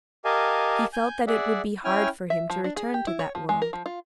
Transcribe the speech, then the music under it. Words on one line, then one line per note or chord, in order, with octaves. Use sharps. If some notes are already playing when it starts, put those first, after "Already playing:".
He felt that it would be hard for him to return to that world.
G4 A#4 D#5 F5 G#5 A5
G#5 G6
G#4 D5 E5 F#5
C#4 E4 G5 G#5 F6
E5
F3
D4
G#4
G4
E4
C#5
F3
G#3
A#4
F3
F4